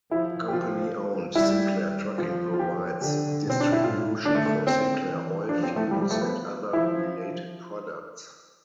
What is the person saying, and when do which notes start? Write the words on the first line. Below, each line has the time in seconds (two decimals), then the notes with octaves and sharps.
Company-owned Sinclair Trucking provides distribution for Sinclair Oil fuels and other related products.
0.11 F3 E4
0.48 G4
0.52 F3 F4
1.35 G3 E4
2.18 F3 F4
2.54 F4
2.59 G4
3.01 D3 G4
3.42 B2
3.50 C4
3.60 D4
3.72 E4
3.84 A2 F4
4.25 D3 D4
4.35 A3
4.46 A3
4.67 C4
5.07 E3
5.49 F3 D4
5.63 C4
5.76 A3
5.90 F3 G3
6.01 G3
6.11 A3
6.21 B3
6.73 F3 E4